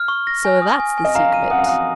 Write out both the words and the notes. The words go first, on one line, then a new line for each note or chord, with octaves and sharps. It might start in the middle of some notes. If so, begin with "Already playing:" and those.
So that's the secret.
Already playing: F6
C#6
A#6
G#5
D#6
G#5
G#5
D#5
F5 A#5
D#7
F#5 D#6
F5
F#5 D#6